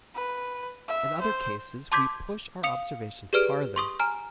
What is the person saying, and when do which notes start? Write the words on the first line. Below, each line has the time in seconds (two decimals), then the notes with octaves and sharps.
In other cases we push our observation farther.
0.15 B4
0.89 E5
1.21 C5
1.92 A5 C6 D6 G6 G#6 B6
2.63 F5 D#6 C#7 F7
3.33 G4 G#4 B4 D5 F6 D7
3.76 C6 C#6 D#6
3.99 G#5 A#5 F6